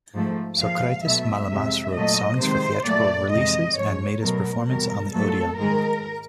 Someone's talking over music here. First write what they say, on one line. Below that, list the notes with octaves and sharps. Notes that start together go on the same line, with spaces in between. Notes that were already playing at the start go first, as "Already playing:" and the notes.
Sokratis Malamas wrote songs for theatrical releases and made his performance in the odeon.
G#2 F3 A3
A#2 F3 G#3 F5
B2 F#3 A3 E5
F2 C3 F3 G#3
A#2 F#3 A3 D#5
C3 D#3 G#3 C5
A#2 F#3 A3 D5
F2 C3 E3 G#3 D#5
G#2 F3 G#3 C#5
B2 F#3 A3 A#4
E2 B2 G3 A#4
A#2 F#3 A3 A4
G#2 D#3 G#3 A#4